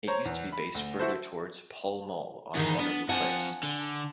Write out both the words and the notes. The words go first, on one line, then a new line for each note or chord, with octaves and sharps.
It used to be based further towards Pall Mall on Waterloo Place.
C5 C#5 A#5
E2
B5
D2
E4 F#4 A4 C5
E2 G#2 D#3 B3 D#4
B3 D4
F2 F3 F#5 G#5 A5
D3